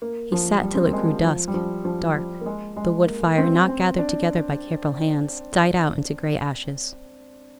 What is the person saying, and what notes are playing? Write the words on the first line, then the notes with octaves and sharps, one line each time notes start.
He sate till it grew dusk, dark; the wood fire, not gathered together by careful hands, died out into gray ashes.
A#3
F3
G3
C4
A#3
G#3
F3
G3
F3
F3
F3
A#3
G#3
G#3
A#3
C4
C4
D4